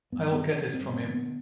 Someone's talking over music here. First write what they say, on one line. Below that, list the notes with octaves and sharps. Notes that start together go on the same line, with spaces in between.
I'll get it from him.
G2 B3
B3
D3
C#4
G2 C4
C4
D3 A#3
B3